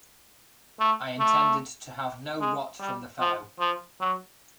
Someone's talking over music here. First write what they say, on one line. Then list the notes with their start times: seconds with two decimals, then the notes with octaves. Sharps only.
I intended to have no rot from the fellow.
0.79 A3
1.19 A3
2.40 G#3
2.79 G3
3.20 F3
3.59 F3
4.00 F#3